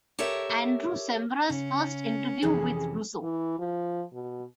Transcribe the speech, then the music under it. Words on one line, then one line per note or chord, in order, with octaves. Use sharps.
Andrew Sciambra's first interview with Russo.
G4 A4 A#4 C#5 E5
C#3 C#4
F2 C3 E3 G#4
E3
F3
B2